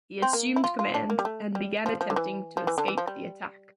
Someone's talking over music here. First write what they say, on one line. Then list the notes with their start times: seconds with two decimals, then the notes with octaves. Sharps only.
He assumed command and began attempting to escape the attack.
0.22 C4
0.33 A#3
0.56 E4
0.64 F4
0.79 F4
0.94 D4
1.10 A#3
1.19 G3
1.25 A3
1.55 G3
1.86 F3
2.01 F3
2.10 D3
2.16 E3
2.57 F3
2.67 E3
2.78 D3
2.88 E3
2.98 F3
3.07 G3